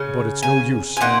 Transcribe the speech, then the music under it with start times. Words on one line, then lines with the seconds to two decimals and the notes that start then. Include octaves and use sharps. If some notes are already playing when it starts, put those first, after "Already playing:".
But it's no use.
Already playing: C#3 C#4
0.43 G#5
0.97 G#5
1.01 A#2 A#3 D#4 F#5